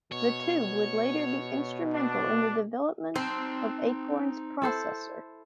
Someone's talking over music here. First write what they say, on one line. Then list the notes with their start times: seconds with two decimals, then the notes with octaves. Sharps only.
The Tube would later be instrumental in the development of Acorn's processor.
0.12 B2 C#5
1.93 D4
3.16 C4 D#4 C5 G#5 A5
4.62 E4 A4 C5